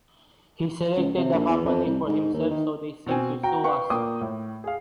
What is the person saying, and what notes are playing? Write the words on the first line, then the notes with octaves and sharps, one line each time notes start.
He selected the company for himself so they seem to sue us.
C#2
C3
A#1
E2
F2
C2
G#2
D#2
D#3
B2 C4 G#5
F#4 G5 A#5
B4 F5 G5 C#6
A#2 A#3 G5 D6 D#6
A2
G#4 F5